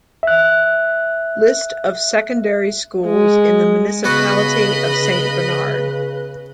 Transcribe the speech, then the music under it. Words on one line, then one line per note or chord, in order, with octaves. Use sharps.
List of Secondary Schools in the Municipality of Saint Bernard.
E5 F#6
G#3
C#3 B3 F#4 B4 D#5 B5